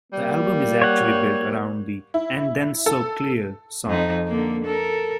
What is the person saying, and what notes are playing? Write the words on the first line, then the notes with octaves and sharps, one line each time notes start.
The album is actually built around the "And Then So Clear" song.
G3 A#3
C#5 F#5
E4
A4
F2 D#4
D3 A#3
A4 A#4